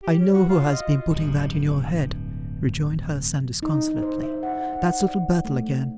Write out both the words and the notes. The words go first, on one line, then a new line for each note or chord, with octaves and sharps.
'I know who has been putting that in your head,' rejoined her son disconsolately; 'that's Little Bethel again.
G4
C#4
F#4
F4
D#5
D1 G2
D#4
C5
E5
F#5
F#5
D5
A3
C3